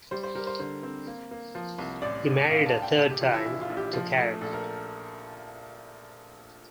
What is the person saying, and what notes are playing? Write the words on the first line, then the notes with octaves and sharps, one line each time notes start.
He married a third time, to Karen.
G3 C5
C5
G3 A#4
C5
D3 C5
C4
A#3
A#3
F3
C2
A1 D5
A1
A1 F5
A5
A1
G5
A#1 A4
G4
E3 F4
E4
A#1
F4
A#1
G4
F3
A3
A#1 A4
A#4